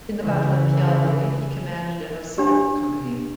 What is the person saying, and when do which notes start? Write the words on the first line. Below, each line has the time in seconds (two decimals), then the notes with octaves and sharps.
In the battle of Piave he commanded an assault company.
0.23 C#3 E3
2.38 D4 G4